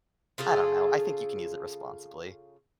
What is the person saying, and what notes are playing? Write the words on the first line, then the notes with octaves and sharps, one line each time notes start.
I don't know. I think you can use it responsibly.
C#3 F4 G#4 A4